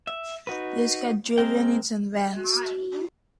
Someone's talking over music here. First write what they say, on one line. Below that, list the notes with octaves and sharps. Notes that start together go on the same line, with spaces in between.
This has driven its advance.
E5
D#4 F#4 B4
G#3 C4 A#4 G5
F#4